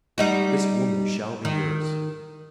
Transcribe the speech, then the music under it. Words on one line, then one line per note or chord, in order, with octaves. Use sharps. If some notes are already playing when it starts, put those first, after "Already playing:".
This woman shall be yours.
G3 D#4 F#4
D#3